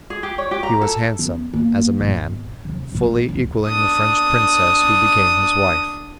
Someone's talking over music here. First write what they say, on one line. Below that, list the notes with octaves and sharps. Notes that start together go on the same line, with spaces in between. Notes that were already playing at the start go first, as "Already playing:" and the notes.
He was handsome, as a man, fully equaling the French princess who became his wife.
G#4
G4
C#5
G4
A#5
A4
B3
A#3 B3
G#1 B2
D#2 C3
A#1 A2
F1 D2
D4 D#6